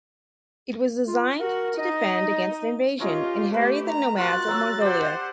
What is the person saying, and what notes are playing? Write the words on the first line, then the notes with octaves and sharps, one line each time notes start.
It was designed to defend against invasion and harry the nomads of Mongolia.
F4
F#4 A#4
D#4 D#5
C#4 F4 G4 A#4 D#5
A3 G4 B4
A#5
F4 F#4 A#4 F#6 A6
F#3 E6
G4 C5 D5 F#5